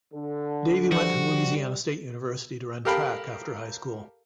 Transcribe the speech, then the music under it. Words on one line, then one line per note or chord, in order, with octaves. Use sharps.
Davy went to Louisiana State University to run track after high school.
D3 A4
F3 G3 F#4
G4 A4 A#4 F5 G5 B5